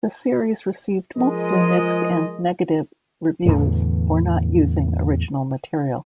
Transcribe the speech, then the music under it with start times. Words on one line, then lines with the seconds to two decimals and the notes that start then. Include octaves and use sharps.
The series received mostly mixed and negative reviews for not using original material.
1.17 F3 G#3 A#4 D#5
3.46 E2 A2 D3 E3